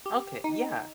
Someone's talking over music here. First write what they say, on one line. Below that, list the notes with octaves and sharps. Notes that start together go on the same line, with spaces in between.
Okay, yeah,
G4
D#4